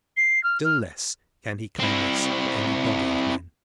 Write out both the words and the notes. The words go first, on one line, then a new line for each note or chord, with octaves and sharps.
Still less can he claim this for any body of men.
C7
F6
F6
C4 E4